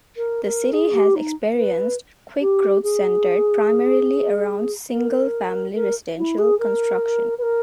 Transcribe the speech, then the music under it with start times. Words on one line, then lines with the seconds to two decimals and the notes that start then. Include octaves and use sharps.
The city has experienced quick growth centered primarily around single-family residential construction.
0.17 A#4
0.45 A#4
0.73 G#4
0.94 G4
1.15 D#4
1.57 B4
2.41 G4
2.83 G#4
4.92 A#4
5.75 A#4
6.18 E4
6.38 G#4
6.59 A#4
7.38 B4
7.42 A#4